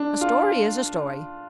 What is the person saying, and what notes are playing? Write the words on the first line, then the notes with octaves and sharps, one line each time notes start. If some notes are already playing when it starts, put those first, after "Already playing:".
A story is a story.
Already playing: D4
F4